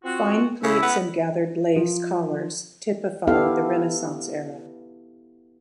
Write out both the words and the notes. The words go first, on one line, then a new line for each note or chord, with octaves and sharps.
Fine pleats and gathered lace collars typify the Renaissance era.
C4 F4 F#4
C#3 E4
B3
F3
B3 E4 G4 A4 F5